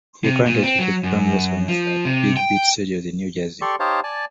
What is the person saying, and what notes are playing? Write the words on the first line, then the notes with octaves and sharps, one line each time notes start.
He currently teaches drum lessons at Big Beat Studios in New Jersey.
C3
A#2
C4
F#3
F#2
F3
C3
G5
G4 A4 D5 C6 C#6
D#4 G4 C5 C#5 F5 A5
D5 G#5 A5